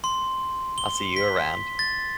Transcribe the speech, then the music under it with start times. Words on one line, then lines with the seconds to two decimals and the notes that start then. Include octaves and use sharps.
I'll see you around.
0.04 C6
0.78 G7
1.16 B6
1.79 A6